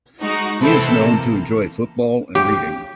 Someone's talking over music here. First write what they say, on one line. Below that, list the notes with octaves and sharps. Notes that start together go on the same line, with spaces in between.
He is known to enjoy football and reading.
G#3 D#4 F#4
C3 E3 C4 E4 A4
A#3
G4